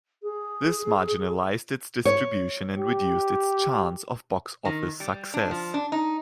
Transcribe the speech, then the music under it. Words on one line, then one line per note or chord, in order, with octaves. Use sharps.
This marginalized its distribution and reduced its chance of box-office success.
G#4
C#5
G4
D#3
G3
D4
F3
D4
D#4